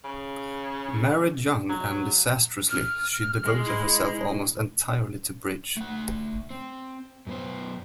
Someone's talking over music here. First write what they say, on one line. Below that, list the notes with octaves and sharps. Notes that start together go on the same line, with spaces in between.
Married young, and disastrously, she devoted herself almost entirely to bridge.
C#3
F#3
F6
G#3
E4
A3 F#5
C4
F#2 B3 C5